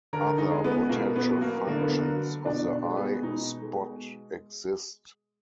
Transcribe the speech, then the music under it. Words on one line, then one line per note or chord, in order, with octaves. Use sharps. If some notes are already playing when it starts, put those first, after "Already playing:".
Other potential functions of the eye spot exist.
D3 A#4
D#4
G#3
B3
B2 A#3
B3
F#3
A#3
D3 A#3
B3
A#3
F#3
B2 D4
D4
G#3
B3
B2 D#4
G#3